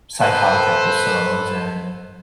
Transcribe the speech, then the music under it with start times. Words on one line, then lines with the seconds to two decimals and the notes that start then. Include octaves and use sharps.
psychotic episodes, and
0.21 A4 B4 C5